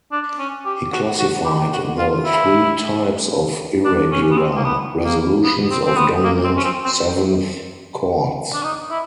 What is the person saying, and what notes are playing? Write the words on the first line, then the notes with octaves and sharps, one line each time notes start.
He classified the three types of irregular resolutions of dominant seventh chords.
D4
C#4
G4
F#4
F#4
G4
F#4
F4
E4
D4
C#4
B3
C4
A#3
B3
A#3
B3
C4
C4
B3
A#3
C4
C#4
C4
C4
D4
D#4
E4